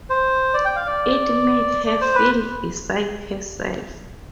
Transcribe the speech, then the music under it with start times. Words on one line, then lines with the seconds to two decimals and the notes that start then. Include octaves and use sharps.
It made her feel beside herself.
0.10 C5
0.54 D5
0.65 G5
0.76 F5
0.86 D5
1.86 D5
2.01 C5
2.15 B4